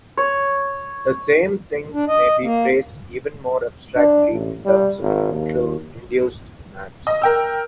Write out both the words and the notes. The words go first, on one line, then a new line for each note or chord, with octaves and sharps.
The same thing may be phrased even more abstractly in terms of induced maps.
C#5
D4
D#5
A#3
D4
A1
G3
G#1
D#2
D#5
A#4 G5 E6